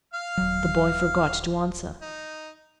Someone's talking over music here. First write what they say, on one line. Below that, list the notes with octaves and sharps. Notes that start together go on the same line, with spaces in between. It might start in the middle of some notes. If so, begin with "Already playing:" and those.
The boy forgot to answer.
F5 F6
D#1 F#3
D#4